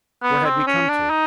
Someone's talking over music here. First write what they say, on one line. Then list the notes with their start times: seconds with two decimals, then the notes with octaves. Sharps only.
Where had we come to?
0.23 B3
0.45 C4
0.67 C#4
0.89 D4
1.10 D#4